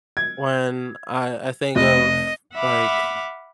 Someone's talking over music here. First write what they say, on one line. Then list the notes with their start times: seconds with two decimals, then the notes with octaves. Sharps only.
When I I think of, like,
0.17 G#6
1.76 F1 D#5
2.54 E5 F#5 B5 D6 F6